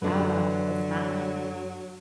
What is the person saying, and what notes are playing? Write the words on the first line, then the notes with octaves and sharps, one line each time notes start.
Ah, it's that one?
F#2 D3 F#3 B4